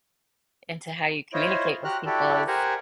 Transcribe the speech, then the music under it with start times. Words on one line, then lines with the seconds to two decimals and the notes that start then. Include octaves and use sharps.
into how you communicate with people is
1.34 E4 F4 C5 C#5 D#5
1.84 F#4 G4 A#5 F6 F#6
2.06 E4 F#4 G4 A4 D5
2.47 G4 A#4 C5 F#5 G#5 A#5